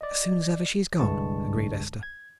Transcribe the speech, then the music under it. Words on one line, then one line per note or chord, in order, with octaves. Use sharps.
"As soon as ever she's gone," agreed Esther.
D5 D#5
C2 G2 D3 G#3 A5 C#6
G#6